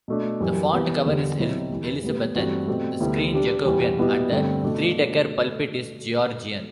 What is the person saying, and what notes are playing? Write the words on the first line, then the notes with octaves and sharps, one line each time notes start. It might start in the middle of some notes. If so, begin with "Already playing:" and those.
The font-cover is Elizabethan, the screen Jacobean and the three-decker pulpit is Georgian.
B2 A3 D4
F#2 E3 G3
C3 E3 B3
E2 D3 G3
B2 F#3 C4 E4 G4
E2 C3 E3
A2 G3 B3
G2 E3 A3 C4 F#4
B2 A3 C4 G4
D2 C3 G3 B3 E4
C3 G3 D4
E2 C3 E3 G3
B2 G3 B3 E4 G4
G2 D3 A3 C4 G4
B2 A3 D4